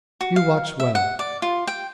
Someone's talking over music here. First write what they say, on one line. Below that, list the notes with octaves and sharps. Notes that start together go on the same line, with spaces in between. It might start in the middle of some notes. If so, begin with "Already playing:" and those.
You watch well!
F#4
F5
E5
F#5
D5
F4
G5